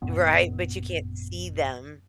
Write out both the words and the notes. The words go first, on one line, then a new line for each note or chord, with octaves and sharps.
Right, but you can't see them.
G#1 F#2 A#2 B3